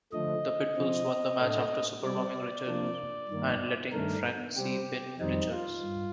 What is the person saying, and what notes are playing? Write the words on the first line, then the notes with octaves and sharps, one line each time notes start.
The Pitbulls won the match after superbombing Richards and letting Francine pin Richards.
D3 F3 A3 D#5
C3 F3 C4
A2 A3 D4
C3 G3 C4 D5
C3 F3 A#3 D4
G2 D#3 A#3
G2 D#3 A3 D4 A#4
C3 G3 C4 G4
F2 D#3 G3 C4 D#4
F4
G2